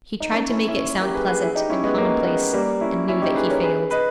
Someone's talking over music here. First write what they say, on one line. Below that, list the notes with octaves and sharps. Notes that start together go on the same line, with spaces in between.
He tried to make it sound pleasant and commonplace, and knew that he failed.
D#4
A#3 C#4
C#4 E4
C#4 E4
G4 A#4
G#4 B4
G#4 B4
E4 G#4
D#4 G4
C#4 E4
G#3 B3
A#3 C#4
A#3
G#3 B3
G3 A#3
C#4 E4
C#4 E4
D#4 G4
G#4 B4
A#4 C#5
G#4 B4
B4 D#5